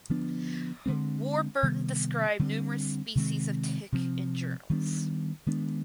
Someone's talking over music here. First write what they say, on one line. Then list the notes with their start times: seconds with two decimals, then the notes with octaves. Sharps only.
Warburton described numerous species of tick in journals.
0.09 D3 F3 B3 D4
0.86 D3 F3 G#3 C4
1.63 C3 D#3 G3 B3
2.39 D3 G3 C4
3.15 C3 D#3 G#3 C4
3.92 C3 F3 C4
4.70 D#3 G3 B3 D4
5.46 D#3 G#3 B3 D4